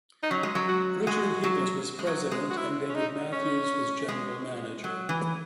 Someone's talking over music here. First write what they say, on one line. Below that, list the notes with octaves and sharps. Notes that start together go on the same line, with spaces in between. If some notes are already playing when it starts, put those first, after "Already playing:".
Richard Higgins was president and David Matthews was general manager.
D#4
F#3 C#4
G#3
F#3
F#4
G#3 F#4
F#3
G#3
F#3
G#3
F#4
E4
C#4
D#4
C#4
G#3
F#3
E3